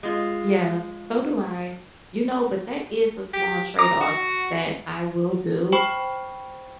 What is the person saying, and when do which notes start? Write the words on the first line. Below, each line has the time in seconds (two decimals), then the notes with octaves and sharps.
Yeah, so do I, you know, but that is a small trade off that I will do,
0.03 G#3 F4
3.33 G4
3.79 A#5 D6
4.01 F#4
5.72 C5 G5 B5 C#6